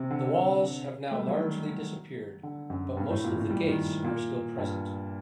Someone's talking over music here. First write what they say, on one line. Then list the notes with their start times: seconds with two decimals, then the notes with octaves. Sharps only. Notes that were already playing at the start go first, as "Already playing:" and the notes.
The walls have now largely disappeared, but most of the gates are still present.
Already playing: C3
0.10 D3
1.11 A3
1.19 G3
1.28 F#3
1.37 D#3
2.43 D3
2.70 F#2
2.97 G2
3.10 A2
3.24 A#2
3.37 A2
3.51 G3
3.68 D#3
4.04 A#2
4.58 G2